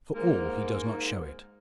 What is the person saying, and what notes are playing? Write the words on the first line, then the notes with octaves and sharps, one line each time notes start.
For all he does not show it.
G#2 A#3